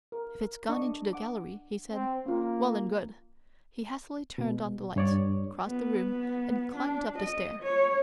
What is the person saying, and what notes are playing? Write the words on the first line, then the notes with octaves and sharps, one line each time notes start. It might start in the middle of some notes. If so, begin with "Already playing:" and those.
"If it's gone into the gallery," he said, "well and good." He hastily turned on the lights, crossed the room, and climbed up the stair.
A#4
D4 D#5 C#6
F#5 D6
C4
A#3 C#4 F4 A#4
B2
G2 C#5 D5
B3
D4
D#5
C#5